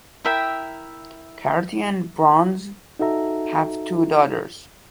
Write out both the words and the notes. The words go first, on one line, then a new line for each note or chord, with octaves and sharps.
Carty and Burns have two daughters.
E4 A#4 E5 G5
D#4 F#4 A4 E5 A#5